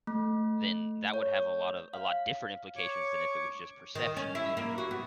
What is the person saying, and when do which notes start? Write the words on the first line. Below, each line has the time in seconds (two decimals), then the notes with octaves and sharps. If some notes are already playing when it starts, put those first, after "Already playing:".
then that would have a lot of a lot different implications than if it was just perceptions,
0.07 A3
1.14 C#5
1.94 F5
2.76 C#5 C#6 D6
3.95 D#3
4.17 C#4
4.35 E4
4.57 A#3
4.78 F#4
4.91 B3